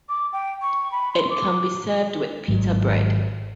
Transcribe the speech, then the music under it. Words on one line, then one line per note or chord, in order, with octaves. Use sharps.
It can be served with pita bread.
D6
G5
C#6
B5
C6
D6
G#1 G#2 F#3